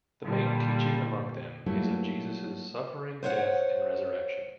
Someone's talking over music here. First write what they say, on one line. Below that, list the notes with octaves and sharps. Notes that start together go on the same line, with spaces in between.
The main teaching among them is of Jesus' suffering, death, and resurrection.
A#2 D3 G3
F#3 G3 A3 A#3 E4 F4
C5 C#5 E5 F#5